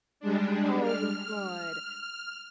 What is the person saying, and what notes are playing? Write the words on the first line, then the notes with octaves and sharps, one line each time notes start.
Oh, good,
G3 G#3 D4
F6